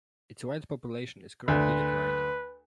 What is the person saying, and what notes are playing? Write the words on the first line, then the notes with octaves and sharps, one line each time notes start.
Its wild population is currently declining.
D2 B4